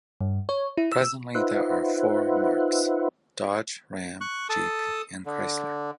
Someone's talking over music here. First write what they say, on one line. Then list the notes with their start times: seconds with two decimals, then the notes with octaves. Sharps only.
Presently there are four marques: Dodge, Ram, Jeep, and Chrysler.
0.21 G2
0.49 C#5
0.77 E4
0.92 E6
1.35 D#4 F4 B4 C5 E5 F#5
4.21 C#6 F#6
4.49 A4 A5 D#6
5.26 D3